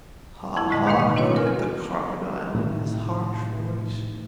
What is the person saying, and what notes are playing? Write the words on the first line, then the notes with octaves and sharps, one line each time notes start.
"Ha, ha!" cried the Crocodile in his harsh voice.
F2 E4
A2 D3 G#3 D#5
B2 D#3 A3 A#3 D#4 B4
D#5
C4 D4 E4 F#4 B4 C#5
A#4 G#5 F6
A2 C3 D#3